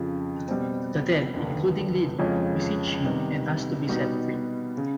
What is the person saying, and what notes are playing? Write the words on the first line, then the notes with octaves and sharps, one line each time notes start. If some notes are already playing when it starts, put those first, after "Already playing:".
The dead, including Lily, beseech him and ask to be set free.
Already playing: F2 C#3 F3
B2 G3 C4
F1 D#2 D3
F2 C#3 F3 G#3 C#4
C3 D#3 G3 B3
B2 G3 B3 D#4 F#4
C#3